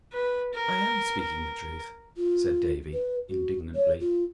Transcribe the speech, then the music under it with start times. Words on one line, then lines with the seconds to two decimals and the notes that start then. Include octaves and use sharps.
"I am speaking the truth," said Davy, indignantly.
0.12 B4
0.53 A#4
1.21 A#4
2.17 F4
2.93 B4
3.29 F#4
3.75 C#5
4.00 F4